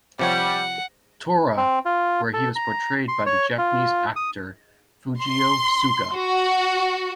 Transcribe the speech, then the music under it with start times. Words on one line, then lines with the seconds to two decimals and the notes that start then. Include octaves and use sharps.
Tora!, where he was portrayed by the Japanese actor Fujio Suga.
0.19 C3 F3 G3 C#5 F#5
1.57 C4
1.86 F4
2.34 A4
2.55 A#5
3.08 C6
3.26 C#5
3.58 F4
4.16 D#6
5.21 C6
6.15 F#4